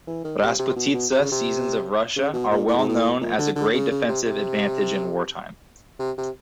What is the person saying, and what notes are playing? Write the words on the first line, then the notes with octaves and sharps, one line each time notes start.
"Rasputitsa" seasons of Russia are well known as a great defensive advantage in wartime.
E3
D#3
C3
C3
C3
B2
B2
C3
C#3
C3
C#3
B2
A#2
A2
G#2
A2
A#2
D3
D3
C#3
C#3
C3
C3
C3
C3